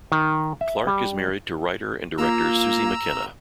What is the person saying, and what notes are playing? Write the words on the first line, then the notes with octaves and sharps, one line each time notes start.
Clarke is married to writer and director Susie McKenna.
D#3
E5
G3
A#3 F4 A#5 E6